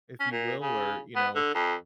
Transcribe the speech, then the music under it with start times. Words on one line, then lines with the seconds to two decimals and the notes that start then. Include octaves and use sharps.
if you will, or, you know
0.20 C#4
0.32 A#2
0.60 C#3
1.16 B3
1.35 D3
1.55 F2